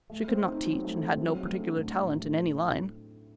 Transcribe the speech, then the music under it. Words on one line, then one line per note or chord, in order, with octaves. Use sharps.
She could not teach and had no particular talent in any line.
A3
C4
D#4
F#3
A3
C4
F#3
A3
D4
A2
F#3
A3